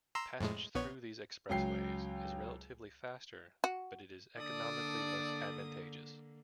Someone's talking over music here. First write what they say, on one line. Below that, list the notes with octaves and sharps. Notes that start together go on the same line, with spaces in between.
Passage through these expressways is relatively faster but it is economically less advantageous.
A#5 C6 E6
F2 A2 G#3
A#1 B3 C#5
C#2 F#3 G5 C7
F#4
D3 A#3 D4 A4 D5 D#6